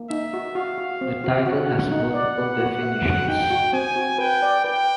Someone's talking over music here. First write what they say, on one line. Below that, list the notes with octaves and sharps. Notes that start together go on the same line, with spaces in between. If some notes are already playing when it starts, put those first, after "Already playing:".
The title has multiple definitions.
Already playing: A#3
D#4 E5
F#4
F#4 F5
F#4
C4
F#4
F#4 F#5
F#4
D#4
D5
B4
F#4
E5
F#4
D#4 G5
F#4
C4 G#5
F#4
B4 G5
D5
B4 G5